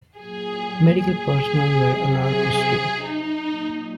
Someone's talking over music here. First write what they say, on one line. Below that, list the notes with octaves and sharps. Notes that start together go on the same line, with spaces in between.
Medical personnel were allowed to stay.
A#2 F#3 G#4
G#4
C3 F#3
G#4
D#4
A#2 F#3